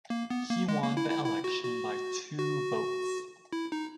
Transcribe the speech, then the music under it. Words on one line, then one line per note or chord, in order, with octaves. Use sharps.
He won the election by two votes.
A#3
B3
A#3
G#3
A#3
E4
E4
E4
F#4
F#4
F#4
E4
D#4